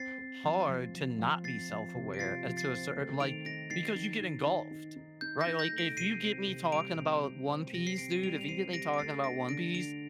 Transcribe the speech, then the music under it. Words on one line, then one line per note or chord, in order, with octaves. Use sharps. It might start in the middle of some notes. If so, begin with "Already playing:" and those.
hard to not be self-aware, uh, to a certai like, because you get engulfed. Right? Like, if you get me talking about One Piece, dude, if you get me talking about One Piece,
Already playing: C4 A6 C7
C4
F3
F3
F3
F3
C4 A6 C7
F3
C3
D7
F4 A6 C7
F3
A6 C7
C4
A3
D#3 D7 F7
D#4 A#6 D7
D#3 A6 C7
D#4
D#3
D#4
D#4
D#4
D#4 G6
G6 A#6
D#4
G6 A#6
A3
A#6 D7
C3 C7 D#7
C4
C3
G3 D7 F7
C3
G4
C4
C3 A#6
C7
C4 D7
D#7
G3 D7 F7
F7
C4 C7 D#7
G4 A#6 D7
D7
A3 A6 C7
D4 A#6 D7
D3 A#6 D7
D3 D7 F7